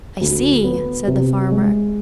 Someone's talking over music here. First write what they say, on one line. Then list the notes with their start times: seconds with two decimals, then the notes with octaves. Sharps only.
"I see," said the farmer.
0.21 D2
0.64 B3
1.08 C3
1.51 G#3